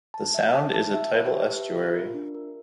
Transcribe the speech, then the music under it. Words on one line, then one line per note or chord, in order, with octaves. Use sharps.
The sound is a tidal estuary.
A5
E5
A5
A5
E5
B4
G4
E5
F4
A#4
D4
A#4